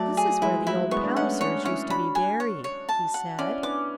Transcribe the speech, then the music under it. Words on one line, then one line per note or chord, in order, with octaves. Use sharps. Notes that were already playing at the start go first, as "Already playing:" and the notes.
"This is where the old Pallisers used to be buried," he said.
Already playing: F#3 A3 D5 A5
G#4
E3 G#3 E4
F#3 A3 E4
G#3 B3 C#6
D4
A3 C#4 F#5
B3 D4 C#5
C#4 E4 C#5
D4 F#4 B5
G#5
C#5
C#5
A5
F#5
C#4 E4 D5
B3 D4 D6